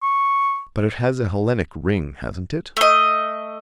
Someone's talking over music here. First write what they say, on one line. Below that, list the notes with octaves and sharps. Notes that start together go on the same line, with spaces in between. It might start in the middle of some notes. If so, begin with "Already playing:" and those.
But it has a Hellenic ring, hasn't it?
C#6
A3 D#5